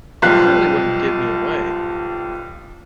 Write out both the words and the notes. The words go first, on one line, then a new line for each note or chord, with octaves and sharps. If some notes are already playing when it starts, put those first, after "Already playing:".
You surely wouldn't give me away?
B1 F3 G3 G4 F5 F#6